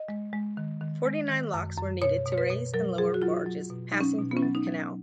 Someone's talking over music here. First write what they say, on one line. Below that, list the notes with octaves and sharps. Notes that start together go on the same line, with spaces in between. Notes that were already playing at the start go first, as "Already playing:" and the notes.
Forty-nine locks were needed to raise and lower barges passing through the canal.
Already playing: D#5
G#3
G#3
D#3
D#3
G#3
D#3
F#2
F#2
B2 C#5
B2
C#5
B4
B2
F#3 A#4
F#3 G#4
F#4
F#3 F4
F#3
B2
F#3 D#4
C#4
B2
B3
C#4
F#3
D#4
F#3